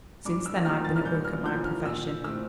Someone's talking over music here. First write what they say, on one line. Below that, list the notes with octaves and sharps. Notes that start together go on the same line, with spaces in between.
Since then I've been at work at my profession.
G2 D6
E6
F3 A#3 F6
A6
F6
G2 G6
F6
F3 A#3 G6
F6
A#2 E6
A3 C4 E6